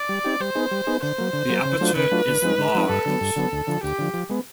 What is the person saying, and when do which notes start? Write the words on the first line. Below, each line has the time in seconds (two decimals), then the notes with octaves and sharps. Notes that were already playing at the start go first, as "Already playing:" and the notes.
The aperture is large.
Already playing: D5
0.09 G3
0.24 C4 D#4 G4
0.40 G3 C5
0.55 B3 D#4 G#4
0.71 G3
0.87 B3 D#4 G#4
1.02 D3 C5
1.18 F#3 A#3
1.33 D3
1.49 F#3 A#3
1.65 C#3
1.81 F#3 A3 D4 F4
1.96 C#3 B4
2.12 F#3 A3 D4 F4
2.28 D3
2.42 F3 G#3 C4 D#4
2.58 D3
2.74 F3 G#3 C4 D#4
2.89 G2 A4
3.06 D3 F#3 B3
3.21 G2
3.36 D3 F#3 B3
3.52 D2
3.67 D3 F3
3.83 D2 G4
3.99 D3 F3
4.14 F3
4.29 G#3 B3